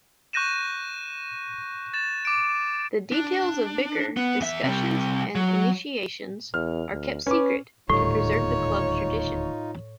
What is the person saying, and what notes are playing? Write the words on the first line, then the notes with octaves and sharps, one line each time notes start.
The details of bicker, discussions and initiations are kept secret to preserve club tradition.
C#6 F#6 G6 A#6 D#7 E7
A6 E7
D6 D7
D4
B3
E2 E5
C3 G3
F#3
E2 F6
D2
C#4 B4 D6
D#1 D2 A2 G3 D#4 F4 C#5